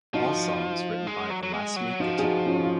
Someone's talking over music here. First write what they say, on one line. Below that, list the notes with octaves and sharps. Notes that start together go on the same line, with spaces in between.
All songs written by Alassmi Gittion.
F3 D#4 F#4
G#3
F#3
F#3
G#3
F#3
F3 D#4 F#4
G#4
D#4 F#4
C#4 F4
F4